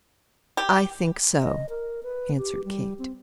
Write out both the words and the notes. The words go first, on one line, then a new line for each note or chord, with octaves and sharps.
"I think so," answered Kate.
G4
D#5
A#4
B4
G4
G3
C4